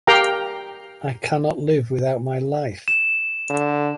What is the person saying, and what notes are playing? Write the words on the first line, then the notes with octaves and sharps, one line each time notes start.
I cannot live without my life!
G4 A#4 F5 G5 A#5
E7
D3